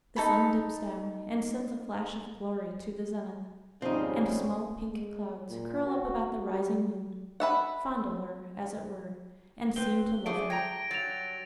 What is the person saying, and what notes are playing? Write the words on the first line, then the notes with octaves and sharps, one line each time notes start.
The sun dips down, and sends a flash of glory to the zenith; and small pink clouds curl up about the rising moon, fondle her, as it were, and seem to love her.
D#4 A4 A#5 B5
D#2 G#2 C#3 F3 G3 C4 D#4
G#3
A#2
F#4
G3
B4 E5 F#5
C4 B4 G7
A3 D4 G#4 D7
G5 A#5 G#6 A#6 D7
G2 F#3 A6 F7